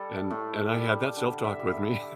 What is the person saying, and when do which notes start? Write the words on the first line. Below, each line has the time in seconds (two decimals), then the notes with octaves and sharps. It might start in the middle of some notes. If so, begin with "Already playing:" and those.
and and I had that self-talk with me.
Already playing: G3 A4
0.30 A2
0.74 G3
1.17 D3
1.45 E5
1.59 G3
1.74 E5